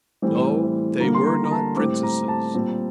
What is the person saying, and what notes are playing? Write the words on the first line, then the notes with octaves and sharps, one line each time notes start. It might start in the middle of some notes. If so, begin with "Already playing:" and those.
No, they were not princesses.
A2 E3 G3 C4
D3 G3 A#3 A#5
C6
A#5
A#5
A5
A2 G3 C4 D6
A#5
A5
A#2 G3 C4